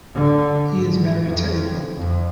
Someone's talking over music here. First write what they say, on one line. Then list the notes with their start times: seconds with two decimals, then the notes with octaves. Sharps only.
He is married to Apryl.
0.15 D3
0.71 G#2
1.21 F2
1.97 F2